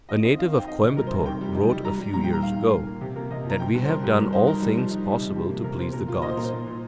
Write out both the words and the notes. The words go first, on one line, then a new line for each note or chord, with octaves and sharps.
A Native of Coimbatore wrote a few years ago that we have done all things possible to please the gods.
D#3 D#5
C4 D#5
D#3 F5
C4 G5
D#4 D#5
C3
G3 A#4
C5
C3
D#3 G5
G3
D#4
G3
G3 A#5
G3
A#2 A#5
G5
A#2 A#5
D#3 F5
D#3
D#2
A#3
C3 G4
A#3 A#4
C3 D#5
F3 A#5
F3 G5
G2
C5
G2 A#4
G2 G4
G3 A#4
D#4 C5
D#4 A#4
G3
F3
D#4
D#4 G4
C3
F3 G4
A#3
C3 A#4
A#3 C5
A#2 A#4
F4
A#2 D#5
C5
A#2 A#4
C5
A#2
A#2